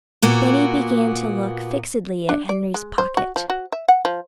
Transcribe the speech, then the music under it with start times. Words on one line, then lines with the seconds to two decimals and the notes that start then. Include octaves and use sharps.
Benny began to look fixedly at Henry's pocket.
0.22 A#2 A#3 B3 F#4
2.29 D4
2.49 D5
2.74 G#3
2.98 C5
3.17 F#4
3.36 F3
3.50 F#4
3.72 E5
3.88 F#5
4.05 F3